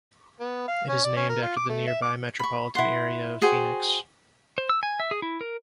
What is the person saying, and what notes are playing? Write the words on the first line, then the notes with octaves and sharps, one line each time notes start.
It is named after the nearby metropolitan area of Phoenix.
B3
F5
C#4
D5
C#4
A#4
F4
D6
A3
E5
D6
B5 C#6
E4 F#5 C6
F#4 G#4 C5 G5
C5
E6
G#5
E5
G#4
E4
A#4